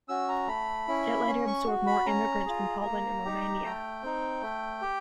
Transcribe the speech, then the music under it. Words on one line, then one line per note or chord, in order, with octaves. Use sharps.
It later absorbed more immigrants from Poland and Romania.
C#4 F#4 E6
A#5
A3 B5
C#4 E4
C#4
C#6
F#4
B5
C#4 A#5
F4 G#4
A#3
D#4 G4
A3 G5
C4 D#4
A3
G4